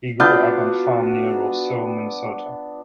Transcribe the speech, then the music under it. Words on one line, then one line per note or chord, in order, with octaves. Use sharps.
He grew up on a farm near Roseau, Minnesota.
B3 D4 F4 F#4 G6